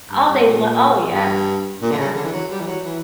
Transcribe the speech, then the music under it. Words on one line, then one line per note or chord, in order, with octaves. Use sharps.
Oh, they lo Oh, yes. Yes.
G2
G2
A#2
G2
A#2
D3
C#3
D3
E3
F#3
G3
E3
F#3
E3